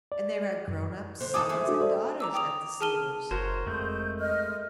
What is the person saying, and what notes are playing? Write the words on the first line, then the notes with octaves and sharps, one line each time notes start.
And there are grown-up sons and daughters at the Cedars.
D5
F#2
D3 C5
G#4 A4 D6 D#6
G#3 A3 G#4
D4 F#4 A4
A4 C5 D5
A#5 D6 E6
G5 D6 D#6 F7
G#4 A5 F6 D#7 G7
F#1 F#4 A#4 C5 C#5
F2 G#3 A3 G6
D#5 F6